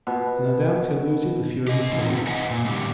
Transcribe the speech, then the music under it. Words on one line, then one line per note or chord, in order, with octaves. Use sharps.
So no doubt he'll lose it with fewer misgivings.
B2
G4 D#5
E3 A3 B3 C4 D#4
B4 D#5 F#5 G#5
A#2
A2 D3 G3